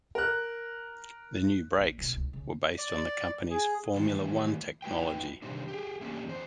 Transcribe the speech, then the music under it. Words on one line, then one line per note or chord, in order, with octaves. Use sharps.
The new brakes were based on the company's Formula One technology.
A#4 F#6
A#1
B2 B3
D#1 C#2
C#3
D5
G#4
D#3 E3 G3 A3
D#4 F#4 B4 G5
C3 D#3 F3 G3 C4 D4
G4 G#4
A3 A#3 C#4 D4 F#4 G4
E2 C5